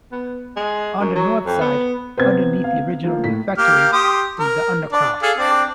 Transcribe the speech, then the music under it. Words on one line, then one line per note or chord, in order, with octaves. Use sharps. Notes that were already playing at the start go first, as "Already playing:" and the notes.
On the north side, underneath the original refectory, is the undercroft.
B3
G#3
F#2
F#3
F2
B3
C3 B3 B4 C5 G#6
F5
F3 A#3
A2 B6
A#3 G4 F6
G4 C6 D#6
A#4
D4 D5
G#4 A4 F5
C4 D4 D5